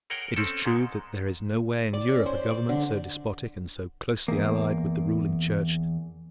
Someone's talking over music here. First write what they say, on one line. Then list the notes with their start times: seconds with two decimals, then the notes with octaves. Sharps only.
It is true that there is nowhere in Europe a government so despotic and so closely allied with the ruling Church.
0.10 G#4 A#4 C#5 F#5 G5
0.36 C4 C#4 A4
0.66 G#2 G#3
1.93 D5
2.08 C#4
2.26 C5
2.50 D5
2.69 D3
4.28 E2 A#3